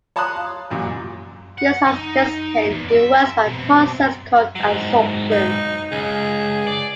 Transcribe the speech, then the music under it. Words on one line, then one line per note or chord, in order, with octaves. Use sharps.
Used as a desiccant, it works by a process called "adsorption".
C#5 A5 A#5 C6 D#6 F#6
F5
A1 F#2 A#2
F#5
D#4 D#5
E2 A#2
D5 E5
B2 C4
G#2 F#3
D#4
C#2 G#4
D5